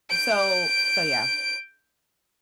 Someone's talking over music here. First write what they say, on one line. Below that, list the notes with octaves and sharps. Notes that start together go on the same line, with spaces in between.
so so, yeah.
G6 D7